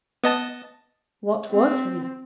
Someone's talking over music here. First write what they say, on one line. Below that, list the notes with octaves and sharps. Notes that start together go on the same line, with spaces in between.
What was he?
B3 D#5 A5
C4